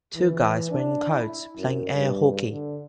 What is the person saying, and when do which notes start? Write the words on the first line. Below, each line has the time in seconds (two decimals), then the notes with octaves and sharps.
Two guys wearing coats playing air hockey.
0.15 E3
0.71 D4
1.11 E4
1.57 F#2
1.95 G2
2.50 D3